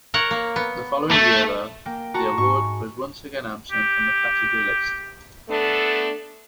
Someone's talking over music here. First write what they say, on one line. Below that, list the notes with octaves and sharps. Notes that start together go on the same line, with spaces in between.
The following year, though, the award was once again absent from the category list.
A#4 C#5 F#5
A#3
B3
A3
A#3 G5
F#4 A5 A#5 C#6
G#2 C#6
G4
A3 B3 D4 A4